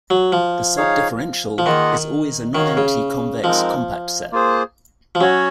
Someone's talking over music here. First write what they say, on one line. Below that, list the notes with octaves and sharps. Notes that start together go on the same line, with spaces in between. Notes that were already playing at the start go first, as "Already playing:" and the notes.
The subdifferential is always a nonempty convex compact set.
F#3
F3
D#4 G#4 C#5 F5
F3
D#3 A#3 F4 G#4 D#5 F#5
D#3 F#4 C#5 F5
C#3
F3 G#3 C4 D#4 A#4
A#3 F4 G#4 C5
F3
F#3 C#4 F#4 C#5